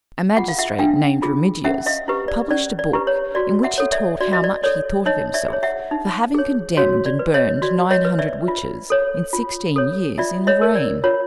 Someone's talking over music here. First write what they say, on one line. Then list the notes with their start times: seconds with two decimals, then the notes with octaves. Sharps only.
A magistrate named Remigius, published a book in which he told how much he thought of himself for having condemned and burned nine hundred witches in sixteen years, in Lorraine.
0.37 F4 G#4 F#5
0.48 F5
0.59 E5 F#5
0.79 D4 F5 G5
1.22 F4 G#4
1.64 C#4 E5 F#5
1.86 D#5 F5
2.08 E4 G4 B4
2.28 D5
2.51 C#4 D5
2.79 D5
2.93 E4 G4 B4
3.07 C#5
3.35 F#4 D5
3.63 E5 F#5
3.78 A4 C#5
3.92 D5 E5
4.21 F#4 D5
4.33 D#5
4.44 D5
4.64 A4 C#5 D5
5.06 D#4 C#5 D#5
5.34 D5 E5
5.48 G#4 C#5
5.63 E5 F#5
5.91 D#4
6.34 G#4 C#5
6.77 F#4 C#5
7.06 D5
7.19 B4
7.34 C#5 D#5
7.62 F#4 D5
7.91 C#5 D#5
8.05 B4
8.19 D5 E5
8.48 F4
8.90 A4 C#5
9.33 F4
9.76 A4 C#5
10.18 F4 D5 E5
10.47 C#5 D#5
10.61 A#4 C#5
10.75 D5
11.04 F4 C#5